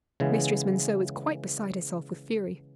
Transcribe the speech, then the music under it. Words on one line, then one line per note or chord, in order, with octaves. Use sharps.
Mistress Monceux was quite beside herself with fury.
C#3 E3 G#3 B3 E4